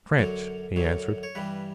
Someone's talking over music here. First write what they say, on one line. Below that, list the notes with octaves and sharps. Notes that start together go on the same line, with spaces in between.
"Trench," he answered.
F#2 D3 F#3
F#2 D3 F#3
C#5
G2 E3 G3 B4